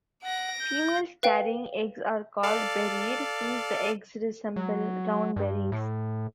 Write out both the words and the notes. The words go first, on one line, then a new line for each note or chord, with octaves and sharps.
Females carrying eggs are called "berried" since the eggs resemble round berries.
F#5 A#6 D7
G6
B4 F5 G5
A4 D5 F5
F#3
G2
A2